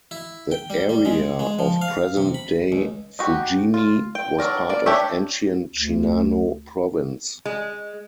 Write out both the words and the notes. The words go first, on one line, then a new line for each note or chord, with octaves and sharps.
The area of present-day Fujimi was part of ancient Shinano Province.
E4
G5
G3
G3
G#3
G#3
F3
F5
C3
B5
C#2
D#4 F#4 G4
F4
G5
F#3 D4 A#4 D5
A#3 D5
D4 G4 C#5 E5
D2
G#3